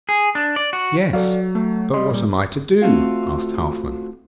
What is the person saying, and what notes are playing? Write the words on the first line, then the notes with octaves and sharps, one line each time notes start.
'Yes; but what am I to do?' asked Halfman.
G#4
D4
D5
F#4
F#3 A4 D5 F5
A3
G3 D#5 C6
A#2 G3
A3 C4 F4 F#4 F5